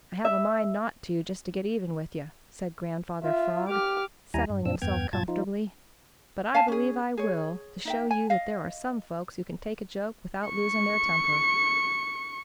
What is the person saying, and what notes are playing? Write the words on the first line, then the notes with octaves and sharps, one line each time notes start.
"I have a mind not to, just to get even with you," said Grandfather Frog, settling himself comfortably, "but I believe I will, to show you that there are some folks who can take a joke without losing their temper."
E5
F4 E5
G4 D6 F6
D#2 G3 E4 G#5 A#5
G2
F#2 A#2 F3 C4 D4 E6
E2 G2 B3 G5 F6 G#6
G2 A#2 F4 A5 G#6 A6
F3 D#4 F4
F5 G#5 A5
C#4 G#4
G#4 C#5
D#4 E5 G5
G#5
D#5 F5
C#6 C#7